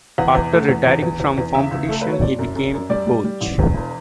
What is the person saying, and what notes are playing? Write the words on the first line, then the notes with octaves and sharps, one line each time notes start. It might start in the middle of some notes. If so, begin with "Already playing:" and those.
After retiring from competition he became a coach.
E2 F#5
E2
A3
E2
E2
E2
E2
E2
C#3 E5
C#2
A3 A4
F#3 B4
C#5
F#1 D5
F#2
F#2
F#2
G3 D5
G3
G3
A1
E2
E1